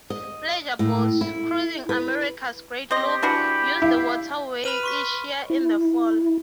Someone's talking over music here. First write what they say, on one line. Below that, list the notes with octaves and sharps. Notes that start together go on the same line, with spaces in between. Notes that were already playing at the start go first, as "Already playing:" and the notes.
Pleasure boats, cruising America's Great Loop, use the waterway each year in the fall.
D#5
A2
E4
B4
C4 G4 D#5 C6
E3 D4 F#4 B5
E4 F5
B4 B5 F6 D#7
C6 C#6 B6
E4